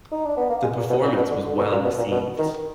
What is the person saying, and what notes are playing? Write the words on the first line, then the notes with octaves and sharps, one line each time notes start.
The performance was well received.
D#4
D4
B3
A#3
G#3
A#2
B2
A#2
B2
D3
D3
B2
A#2
B2
A#2
B2
D#3